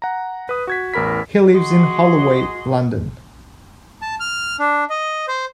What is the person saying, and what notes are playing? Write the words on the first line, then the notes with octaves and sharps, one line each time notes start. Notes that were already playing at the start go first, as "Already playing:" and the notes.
He lives in Holloway, London.
F#5 A#5
B4 D#6
F#4 G#6 B6
A1 E2 A#4 B5 B6
F#4 G#4 D#5 C6
A5
F6
D4
D#5
C5